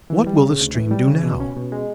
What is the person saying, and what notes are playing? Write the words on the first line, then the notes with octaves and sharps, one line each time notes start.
What will the stream do now?
E3
G3
C#3
D2
E3
G3
C#3
B2
C#4
B2
G#3